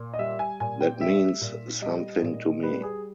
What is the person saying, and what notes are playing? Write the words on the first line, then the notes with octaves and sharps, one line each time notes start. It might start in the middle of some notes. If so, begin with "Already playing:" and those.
That means something to me.
Already playing: A#2
D#5
G3 E5
G#5
A#2 G#5
G5
G3 E5
A#2
G3 D#5
A#2
G3 B4
G#4